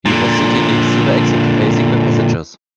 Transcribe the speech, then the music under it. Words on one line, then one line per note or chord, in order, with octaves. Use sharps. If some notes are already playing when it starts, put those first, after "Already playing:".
He was sitting next to the exit, facing the passengers.
A#2 D3